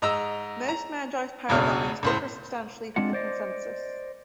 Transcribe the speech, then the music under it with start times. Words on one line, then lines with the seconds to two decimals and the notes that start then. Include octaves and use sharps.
Most Magi's paradigms differ substantially from the consensus.
0.02 G#2 D#5 A#5 E6
0.69 A#5
1.49 E1 C#2 B2 D4 F6
2.03 C#2 A2 C5
2.96 G#3 C4 D4 F4 F#5
3.13 C5 D5 D#5